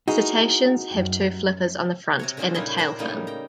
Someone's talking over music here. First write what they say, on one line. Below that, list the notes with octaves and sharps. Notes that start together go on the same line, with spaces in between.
Cetaceans have two flippers on the front, and a tail fin.
D#4 E4 F#4 G#4 A#4
F#2 G5
C3 F#4 C#5
D3 G#3 C4 F4 F#4
A#2 C#3 G3 D#4 E4
A#4 C5 D5 F#5 G5 A#5
A2 C#3 G3 A3 A#3 D#4
G5 A#5